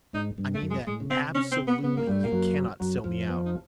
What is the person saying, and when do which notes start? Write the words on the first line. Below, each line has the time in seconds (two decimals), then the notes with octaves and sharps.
I mean that ab-so-lute-ly you cannot sell me out.'
0.13 G#2 D#4
0.38 G2
0.54 A3
0.62 F#2
0.70 G#3
0.86 A2 G#3
1.00 C#3
1.10 C3 C4
1.35 C#4
1.51 C4
1.68 B3
1.83 C#3 B3
1.97 A#3
2.07 G2 G3 A3
2.23 A#3
2.32 F#2 F#3
2.80 F#2 F#3
3.04 F2 F3
3.29 B3
3.45 D#4